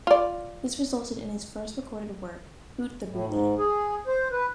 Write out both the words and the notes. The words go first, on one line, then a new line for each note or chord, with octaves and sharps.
This resulted in his first recorded work, "Boot the Booty".
F4 D5
A2
G#2
G#4
C5
B4